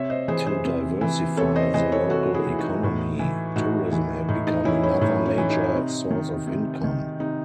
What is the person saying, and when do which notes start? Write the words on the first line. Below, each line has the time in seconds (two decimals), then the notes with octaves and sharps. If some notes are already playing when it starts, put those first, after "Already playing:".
To diversify the local economy, tourism had become another major source of income.
Already playing: C3 C#5 E5
0.10 C5 D#5
0.28 E3 G#4 C5
0.47 G#4 C5
0.65 C3
1.01 E3
1.37 C3 A4 C#5
1.56 C5 D#5
1.74 E3 C5 D#5
1.92 A4 C#5
2.10 C3 F#4 A4
2.34 E4 G#4
2.47 E3
2.59 D#4 F#4
2.83 A2
3.19 E3
3.56 A2 D#4 F#4
3.92 E3
4.29 A2 D#4
4.47 D#4
4.65 E3 C#4 E4
4.83 C#4 E4
5.01 A2 D#4
5.26 C#4
5.38 E3
5.50 D#4
5.75 C3
6.11 D#3
6.47 C3
6.84 D#3
7.20 C3 D#4